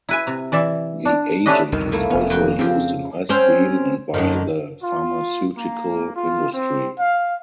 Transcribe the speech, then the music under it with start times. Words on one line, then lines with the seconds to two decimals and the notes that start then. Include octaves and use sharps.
The agent is also used in ice cream and by the pharmaceutical industry.
0.09 E4 B4 G#5
0.27 C3
0.52 E3 D5 E5
1.05 D4
1.46 A3 C#4 D4 G4 B4 D#5
1.72 C2 F2 B2 D#3
1.92 A3 A#3 E4
2.10 F1 B3 C#4
2.30 F2 F#4 G5
2.59 C#3 F3 C4 G4
3.29 C4 C#4 C5
4.14 F#2 D3 D#3
4.82 F4
5.55 A#3
6.16 F4
6.51 C4
6.99 F5